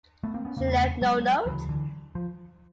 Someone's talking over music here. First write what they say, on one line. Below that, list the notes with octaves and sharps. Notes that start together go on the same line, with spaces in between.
She left no note.
A3 B3
A#3 C4
B3 C#4
E2 C#3 A#3 C4
A#3
A3 B3
F#3 G#3
D2 C#3 E3 F#3
D3 E3
F3